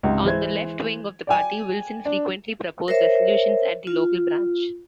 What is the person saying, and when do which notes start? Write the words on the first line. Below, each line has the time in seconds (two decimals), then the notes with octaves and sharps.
On the left-wing of the party, Wilson frequently proposed resolutions at the local branch.
0.03 C#2 G#2 C3
0.25 E3 G#3 E4 C5 G#6
1.27 D5 G5 G#5
2.05 D4
2.88 A#4 C5 C#5 E5
3.87 F4